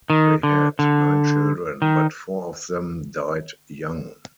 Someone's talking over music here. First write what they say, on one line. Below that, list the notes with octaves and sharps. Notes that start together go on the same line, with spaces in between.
They had nine children but four of them died young.
D#3
D3
D3
D#3